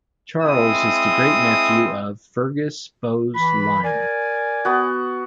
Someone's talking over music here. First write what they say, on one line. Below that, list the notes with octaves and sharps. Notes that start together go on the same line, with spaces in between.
Charles is the great-nephew of Fergus Bowes-Lyon.
G#3 C4 E4 D#6
E3 B5
A#4 D5 G#5
B3 F#4